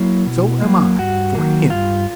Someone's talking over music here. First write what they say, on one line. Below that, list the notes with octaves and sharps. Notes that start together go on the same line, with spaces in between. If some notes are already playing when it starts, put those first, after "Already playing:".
So am I--for him.
Already playing: F#3 A#3 E4
B2
F#3 A#3
G2 F#4
D#3 F#3 A#3
G2 F4